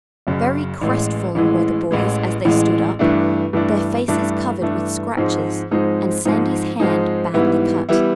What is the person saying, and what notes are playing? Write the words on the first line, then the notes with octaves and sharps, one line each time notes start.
Very crestfallen were the boys as they stood up, their faces covered with scratches and Sandy's hand badly cut.
F#1 F#2 C#3
A1 A2 E3 G#3
A1 A2 E3 G#3
A1 A2 E3 G#3
A1 A2 E3 G#3
G2 E3 A3 D4
G2 E3 A3 D4
G2 E3 A3 D4
G2 E3 A3 D4
G#2 F3 G#3 C4 D#4
G#2 F3 G#3 C4 D#4
G#2 F3 G#3 C4 D#4
G#2 F3 G#3 C4 D#4
G#2 E3 G3 B3 E4
E3 G3 B3 E4